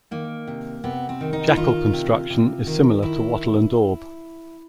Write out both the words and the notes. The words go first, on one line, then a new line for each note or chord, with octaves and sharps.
Jacal construction is similar to wattle and daub.
D#3 A#3
C3
C3 B3
C4
D#3
D#4
E4
D#3 F4
C3
C3
D#3
D#3 E4